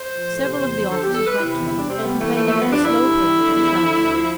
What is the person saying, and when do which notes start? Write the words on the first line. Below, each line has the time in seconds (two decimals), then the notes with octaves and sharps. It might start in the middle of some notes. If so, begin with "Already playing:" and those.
Several of the officers went to him, complaining of the slow payment of his ransom.
Already playing: C5
0.09 F3
0.25 A2
0.41 C3
0.57 E2
0.73 F3
0.89 D3 A4
1.01 E2 G4
1.14 A4
1.22 G3 B4
1.38 C3 E4
1.54 E2
1.66 G3 E4
1.77 D4
1.86 C3 C4
1.99 A3
2.03 G3 B3
2.19 E3 A3
2.35 F3 A3
2.47 F3 A3
2.59 B3
2.67 G2 D4
2.83 D3 E4
3.00 G2
3.16 G3
3.32 D3
3.49 E2
3.65 F3
3.80 D3
3.97 D2
4.13 F3